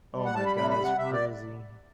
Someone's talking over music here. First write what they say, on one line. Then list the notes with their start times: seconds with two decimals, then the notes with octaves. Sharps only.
Oh my god, that's crazy.
0.15 G3
0.25 F#5
0.35 G3 A5
0.46 B5
0.56 C3 B5
0.71 B5
0.78 C3
0.84 F#5
0.98 C3 E5
1.13 D5